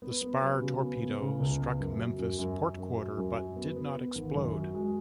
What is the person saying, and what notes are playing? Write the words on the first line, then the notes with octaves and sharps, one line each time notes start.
The spar torpedo struck "Memphis" port quarter but did not explode.
B3
B3
F#3
C#3
B3
B3
C#3
C#2
B3
F#2
F#3
F#2
F#2
F#2
F#2
F#3
F#2
F#3
B3
B3
B3
G#1
F#2
F#3
G#3